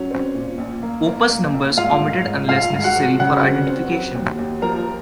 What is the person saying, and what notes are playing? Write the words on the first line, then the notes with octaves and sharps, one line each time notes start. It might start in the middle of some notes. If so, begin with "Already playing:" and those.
Opus numbers omitted unless necessary for identification.
Already playing: F#3 C#4
C4
A#2
A#1
A#3
A#3
A#3
A#1
G#2 F4 F5
G#2
G#2
G#2 F4 F5
G#2
F#4 F#5
F3
C#3 F#4 F#5
C4
C4
F#3
D#2
D#2
F3 A#4 A#5